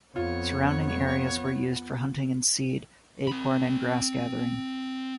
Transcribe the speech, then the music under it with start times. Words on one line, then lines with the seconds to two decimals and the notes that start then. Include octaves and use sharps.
Surrounding areas were used for hunting and seed, acorn, and grass gathering.
0.16 F2 B3 F4 C#5
3.27 C4 B5